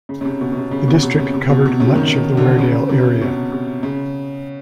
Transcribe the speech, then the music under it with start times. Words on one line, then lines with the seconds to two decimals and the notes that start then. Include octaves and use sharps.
The district covered much of the Weardale area.
0.09 C#3
0.21 C#3
0.25 C3
0.41 B2
0.52 B2
0.57 C3
0.71 C#3
0.88 B2
1.03 C3
1.19 C#3
1.34 C3
1.49 B2
1.66 C3
1.80 C#3
1.96 D#3
2.37 D3
2.58 C#3
2.89 C3
3.21 B2
3.52 C3
3.83 C#3